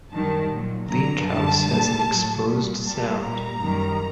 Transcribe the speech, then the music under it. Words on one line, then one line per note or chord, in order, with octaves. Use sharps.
Bleak House has an exposed sound.
F#2 D#3 G3 A5
A#2 F#3
G2 D3 F#3 A#5
F#2 D3 G3 A5
A#2 G3
A2 F#3
A#2 G3
A#2 G3 A5
A#2 G3 A#5
F#2 D#3 G3